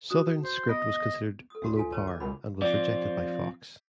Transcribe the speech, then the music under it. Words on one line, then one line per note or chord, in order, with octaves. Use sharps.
Southern's script was considered 'below par' and was rejected by Fox.
F#4 D#6
C5
B3 D#5
A4 D#6
D2 F#4 E5
F4 A4 G#5
B4 C#5 A5
D6
C#2 B2 B5
F3 C4 D5